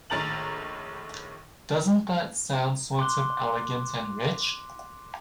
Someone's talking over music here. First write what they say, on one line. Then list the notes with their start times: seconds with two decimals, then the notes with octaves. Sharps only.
Doesn't that sound sort of elegant and rich?
0.10 A#1 A2 D#3 A#5 A6 F#7
2.99 C6 D6 F#6 G7